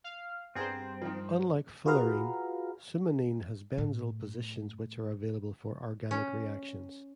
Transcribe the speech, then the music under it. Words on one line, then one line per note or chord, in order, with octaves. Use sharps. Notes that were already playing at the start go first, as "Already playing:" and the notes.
Unlike fullerene, sumanene has benzyl positions which are available for organic reactions.
F5
G2 B3 C4 G#4 A#4 C5
D#3 F3
F4 F#4 G#4 B4 F5 A#5
A2 A3
C#4